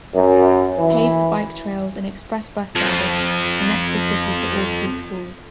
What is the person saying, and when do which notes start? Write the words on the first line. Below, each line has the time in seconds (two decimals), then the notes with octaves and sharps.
Paved bike trails and express bus service connect the city to all three schools.
0.15 F#2
0.78 E3
2.75 F2 F3